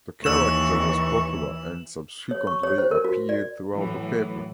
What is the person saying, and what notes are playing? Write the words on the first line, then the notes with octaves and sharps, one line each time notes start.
The character was popular, and subsequently appeared throughout the paper.
D#2 E3 C#6 E6 E7
C#5
C#6
C#5
C5
A#4
F#4
D5
A2 E3 F#3